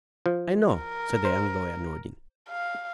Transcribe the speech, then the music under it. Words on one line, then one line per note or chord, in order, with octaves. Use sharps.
"I know," said the young lawyer, nodding.
F3
A#4
C5
F5